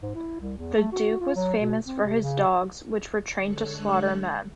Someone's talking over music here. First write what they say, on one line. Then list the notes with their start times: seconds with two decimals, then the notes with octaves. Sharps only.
The duke was famous for his dogs, which were trained to slaughter men.
0.02 G#2
0.16 E4
0.40 C2
0.57 E2
0.74 A3
0.92 F#4
1.20 F4
1.36 F#3
1.59 B2
1.85 C4
2.04 C3
2.21 C#3
3.37 D3 G#3 A4 C#5 F#6